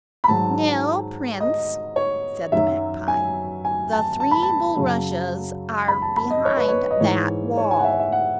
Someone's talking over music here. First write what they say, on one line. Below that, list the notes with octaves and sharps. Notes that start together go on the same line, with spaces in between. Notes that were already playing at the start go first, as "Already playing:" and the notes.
'Now, prince,' said the magpie, 'the three bulrushes are behind that wall.'
B5
G#2 D#3 F#3 A5
D#5
C#5
F#2 D#3 F#3 E5
G#5
G#5
A5
A5
B5
A5
F#2 C#3 F#3
B5
A5
B5
D#5
C#5
B4
C#5
D#5
G#2 E3 C#5
C#5
G#5
F#5
E5
E5
F#5